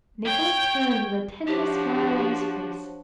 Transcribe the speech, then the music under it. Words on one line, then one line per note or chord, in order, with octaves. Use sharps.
Nicholas turned with a tender smile on his face.
C#5 G5
F3 D4 F#4 G4 C5 C#5 A5